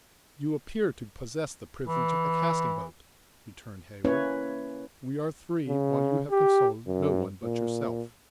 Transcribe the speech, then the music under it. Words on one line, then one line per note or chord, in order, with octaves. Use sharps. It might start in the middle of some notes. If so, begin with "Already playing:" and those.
"You appear to possess the privilege of a casting vote," returned Heyward; "we are three, while you have consulted no one but yourself."
E3
A#3 C#4 E4 B4 C#5
C#3
G4
F#2
A#2